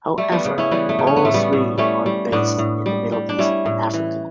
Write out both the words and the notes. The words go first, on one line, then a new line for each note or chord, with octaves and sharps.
However, all three are based in the Middle East and Africa.
G3 A3
G3 B3
C#3
C#4 E4
E3 G3 B3
A3
C#3
C#4
B3
A2 A3
G3 B3
A2
G3 A3 C#4
G3
A2 B3 D4
A2
G3
G3
D4
G3 C#4 E4
A2
E3